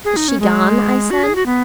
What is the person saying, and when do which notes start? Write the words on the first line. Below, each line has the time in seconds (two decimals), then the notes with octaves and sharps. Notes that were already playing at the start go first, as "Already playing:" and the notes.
'Is she gone?' I said.
0.05 G#4
0.16 D#4
0.28 C#4
0.40 G#3
1.11 F#4
1.23 G#4
1.35 F#4
1.46 B3